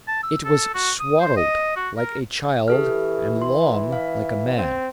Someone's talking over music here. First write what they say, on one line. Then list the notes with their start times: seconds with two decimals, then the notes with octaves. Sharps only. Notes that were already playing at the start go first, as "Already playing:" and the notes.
It was swaddled like a child and long like a man.
0.08 A5
0.23 E6
0.45 A4
0.74 F#4
1.00 D#6
1.20 C5
1.37 D#5
1.76 F#4
1.97 A#4
2.68 E3 G4 A4 F6
3.42 C6
3.92 F5
4.56 C4